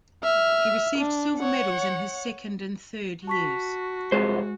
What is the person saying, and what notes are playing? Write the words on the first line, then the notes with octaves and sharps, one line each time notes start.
He received silver medals in his second and third years.
E5 F6
D4
C#5 F#5
F#4 A5 C#6 B6
C2 F2 G#3 G#4 C5